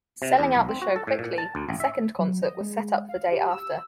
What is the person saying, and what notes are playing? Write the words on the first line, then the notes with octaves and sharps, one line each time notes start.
Selling out the show quickly, a second concert was set up the day after.
C3
E2
B1
C4
F#4
A4
A2
A#2
A5
D2
A1
E5
F#3
D#5
G#3
F5
G4
E6